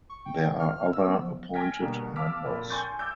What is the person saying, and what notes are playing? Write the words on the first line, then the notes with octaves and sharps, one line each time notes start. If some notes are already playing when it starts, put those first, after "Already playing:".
There are other appointed members.
C#6
G5
F6
E6
B3
F3
G5 G#5 F6 G#6 A#6 B6
B2 D3 G3 A#3
F5 A5 D6 E6 F6 B6
F2 A#2 B5
G5 G#5 C6 C#6 G6 A6
D6 E6 G6